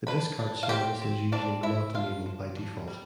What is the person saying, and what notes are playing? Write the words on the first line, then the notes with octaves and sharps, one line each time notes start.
The discard service is usually not enabled by default.
D4 B4 B5
D4
F5
C4 G4 G5
C4
C4 D4 D5
F3 E4 E5
D4 F4 F5
F3
D4
G3